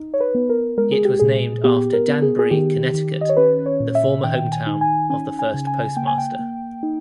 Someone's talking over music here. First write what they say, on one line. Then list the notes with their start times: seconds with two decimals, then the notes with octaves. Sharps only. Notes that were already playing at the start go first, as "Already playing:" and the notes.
It was named after Danbury, Connecticut, the former hometown of the first postmaster.
Already playing: D#4
0.14 C#5
0.20 B4
0.35 B3
0.50 A#4
0.78 G#3 A#4
0.92 G#4
1.05 G4
1.20 A#2 G#4
1.64 B3 G4
1.93 A#4
2.08 B3
2.22 G#4
2.39 G#4
2.51 D#3 G4
2.94 D#3
3.21 D#5
3.29 C#5
3.37 C#4 B4
3.66 C#5
3.80 A#2
3.95 E5
4.24 D#3 G5
4.52 G#5
4.67 D#4
4.81 G#5
5.10 C#4 G#5
5.39 G#5
5.54 C#3
5.67 G#5
5.97 A#3 G5
6.07 G#5
6.18 G5
6.39 A#3
6.83 D#4